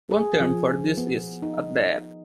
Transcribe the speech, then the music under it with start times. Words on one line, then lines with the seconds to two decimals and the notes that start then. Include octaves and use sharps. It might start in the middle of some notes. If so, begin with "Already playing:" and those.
One term for this is "adab".
0.11 G#4
0.40 F3
0.97 B3
1.42 D#4